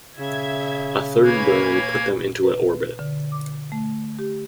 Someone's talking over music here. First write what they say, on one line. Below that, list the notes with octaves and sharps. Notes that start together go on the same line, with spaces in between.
A third burn put them into a orbit.
C#3 E5 G#6
A#3 B4 C#5 G#5 G#6
B4
D3
D6
A3
G4